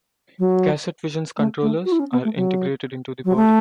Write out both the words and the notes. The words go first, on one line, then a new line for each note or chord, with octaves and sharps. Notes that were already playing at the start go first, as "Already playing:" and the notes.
Cassette Vision's controllers are integrated into the body.
F#3
A3
A3
F#4
E4
C#4
B3
A3
F#3
F#3
A3